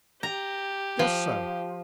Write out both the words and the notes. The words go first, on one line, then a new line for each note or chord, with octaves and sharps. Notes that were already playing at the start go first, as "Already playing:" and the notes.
"Just so."
G4 A#5
F3